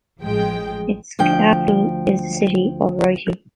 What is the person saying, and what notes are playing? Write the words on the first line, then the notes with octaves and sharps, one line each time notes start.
Its capital is the city of Rieti.
A1 F3 G#3 G5
D2 F3 G5